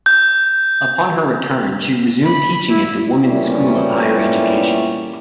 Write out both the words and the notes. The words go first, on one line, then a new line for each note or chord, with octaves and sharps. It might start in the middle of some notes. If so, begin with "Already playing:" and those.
Upon her return, she resumed teaching at the women's school of higher education.
G6
B5
E4
E2 A#2 G3 A3 C#4 E4